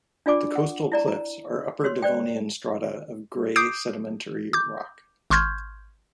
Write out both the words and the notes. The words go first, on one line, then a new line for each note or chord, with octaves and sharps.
The coastal cliffs are Upper Devonian strata of grey sedimentary rock.
D4 F4 D5 G#5 D6
F#5
E4 D5 A#5
A#5
F#4 C#5 C6
C5 D5 G5
D6 D#6 G6 C7 D7
D6 G6
G#1 C6 C#6 F6 G6 G#6